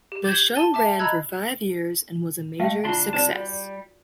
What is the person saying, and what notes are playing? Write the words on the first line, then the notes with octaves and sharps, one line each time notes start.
The show ran for five years and was a major success.
G4
D6 G6 G#6 E7
A5 A6 D#7 G7
E5 A5 D6
D#5 A#5 B5 E6 F#6 G#6
G#3 A3 E5 F5 G5
D2 D4 E4 F4 A5 C6
C2 C4 D#4 C5 D5 A5
G3 F#4